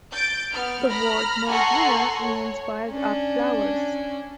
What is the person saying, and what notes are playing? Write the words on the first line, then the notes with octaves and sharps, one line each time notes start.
The word "Moribana" means "piled up flowers".
G6 A6 D7
B3 F6
A#5 B5 F6 A#6
A4 F#5 G#5 A#5 C6 C#6
C#5
C#4 D4